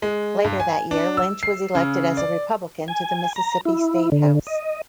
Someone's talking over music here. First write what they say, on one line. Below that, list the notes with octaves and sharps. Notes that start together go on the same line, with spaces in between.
Later that year Lynch was elected as a Republican to the Mississippi State House.
G#3
G2
G#5
D4
E6
C7
C#3
D5
G#5
A#5
E4
D3
D#5